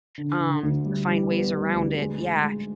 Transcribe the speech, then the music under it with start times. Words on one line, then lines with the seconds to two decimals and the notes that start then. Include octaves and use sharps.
um, to find ways around it. Yeah.
0.18 D3
0.41 D3
0.63 D2
0.85 G3
1.08 G3
1.30 B3
1.54 G3
1.75 D2
1.98 G#3
2.21 G#3
2.44 G#3